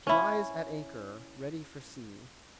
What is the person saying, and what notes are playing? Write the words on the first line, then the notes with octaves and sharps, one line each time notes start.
She lies at anchor, ready for sea.
C#4 E4